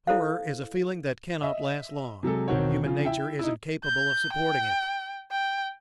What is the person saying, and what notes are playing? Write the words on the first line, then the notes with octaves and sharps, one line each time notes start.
Horror is a feeling that cannot last long; human nature is incapable of supporting it.
E4 A4 C5 F5
D#5 E5
C3 F#3 G#3 A4
E1 D#3 C4 F#4 C#5
C#3 F3 F4
E4 E5 G5
D#4 E4
G6
G5
G5